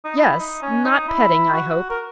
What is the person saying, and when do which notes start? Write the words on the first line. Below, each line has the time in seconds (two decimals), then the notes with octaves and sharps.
Yes; not petting, I hope.
0.05 D#4
0.17 E4
0.39 D#4
0.62 C#4
0.85 D#4
1.08 E4
1.54 F#4
1.90 A#4